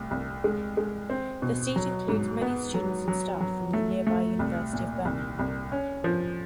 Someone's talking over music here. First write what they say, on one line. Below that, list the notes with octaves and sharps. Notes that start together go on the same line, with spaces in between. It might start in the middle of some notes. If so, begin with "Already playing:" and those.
The seat includes many students and staff from the nearby University of Birmingham.
Already playing: C2 A3
C2
G#3
G#3
C4
B2
F#3
G#2
B3
F#3
F#3
F#3
A3
A3
C2
A#2
C2
C2
C#4
F3